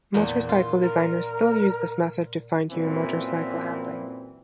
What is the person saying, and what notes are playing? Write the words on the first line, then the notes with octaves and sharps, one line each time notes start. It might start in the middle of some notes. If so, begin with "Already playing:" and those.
Motorcycle designers still use this method to fine-tune motorcycle handling.
E2 A#2
F4 C6
A#4
F#2 A#2 E3 C4